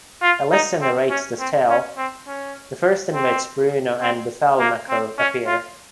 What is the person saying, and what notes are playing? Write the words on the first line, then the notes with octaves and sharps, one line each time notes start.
Elissa narrates this tale, the first in which Bruno and Buffalmacco appear.
F4
D#4
C4
C#4
C4
C#4
C4
C#4
C4
C4
A#3
C4
C#4
F4